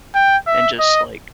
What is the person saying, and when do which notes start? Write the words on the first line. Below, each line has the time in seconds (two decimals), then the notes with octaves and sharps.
and just, like,
0.15 G5
0.47 E5
0.79 D#5